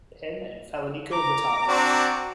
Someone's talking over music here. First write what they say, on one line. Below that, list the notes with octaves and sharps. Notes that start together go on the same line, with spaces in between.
Penn and Falaniko Vitale.
A#5 D6
C4 D4 F#4